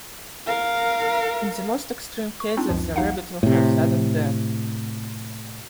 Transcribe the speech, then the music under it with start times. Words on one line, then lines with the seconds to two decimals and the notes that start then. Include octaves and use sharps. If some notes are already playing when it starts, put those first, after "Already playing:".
In the most extreme cases the rabbit will have sudden death.
0.47 A#4 F5
2.40 C#6
2.57 C4 D4 D#4 F4
2.69 C#2 F#2 F3
2.96 A#1 D#2 D#4 F5 F#5
3.43 A2 C3